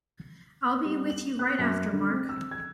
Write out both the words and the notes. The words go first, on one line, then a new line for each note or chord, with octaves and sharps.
I'll be with you right after Mark.
G3
F#7
F#6
F#2
D3
C4
E6
G#6